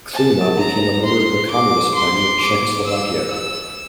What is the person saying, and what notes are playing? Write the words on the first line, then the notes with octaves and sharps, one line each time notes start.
Klima became a member of the Communist Party of Czechoslovakia.
A5
A#5
C6
D6
C6
D6
E6
E6